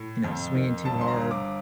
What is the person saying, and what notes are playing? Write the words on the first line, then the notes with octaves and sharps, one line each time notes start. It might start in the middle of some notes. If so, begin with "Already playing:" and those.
you know, swinging too hard.
Already playing: A2
F2
D#3
G1 A5
C6
A#5
G1
D6